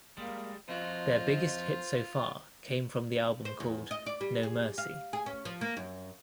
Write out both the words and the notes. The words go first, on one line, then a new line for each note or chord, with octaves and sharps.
Their biggest hit so far came from the album called "No Mercy".
G3 G#3 A#3
F2 F4 F#4 C5 D#5
C5
E2
D#5
D5
G3
G#4
F5
G#4
C#4
F3
A#3
F#2